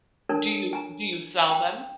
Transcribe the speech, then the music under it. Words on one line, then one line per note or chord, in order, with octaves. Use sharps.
W do you do you sell them?
D4 A4 A#4 C#5 A5
G#5 A#5
G5